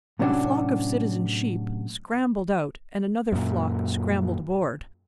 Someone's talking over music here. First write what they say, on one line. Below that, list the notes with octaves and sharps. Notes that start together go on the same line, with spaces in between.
A flock of citizen sheep scrambled out and another flock scrambled aboard.
A2 C3 F#3 C#4 D4 F#4
F#2 A#2